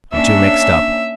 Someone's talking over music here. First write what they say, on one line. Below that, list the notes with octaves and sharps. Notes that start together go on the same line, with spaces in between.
I'm too mixed up.
A#3 C#4 D4 E5